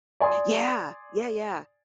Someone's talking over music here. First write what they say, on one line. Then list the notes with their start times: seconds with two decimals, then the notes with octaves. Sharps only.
Yeah! Yeah, yeah.
0.20 D5 G#5 C6 D#6